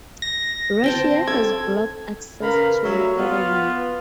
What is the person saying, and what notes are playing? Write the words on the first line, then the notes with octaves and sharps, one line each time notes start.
Russia has blocked access to Erowid.
A#6
C4 G5 A5
A4 G#6
C#3 A#4 B4 F5 A#5 B5
F#3 G3 A3 C#5 E5
B3 F4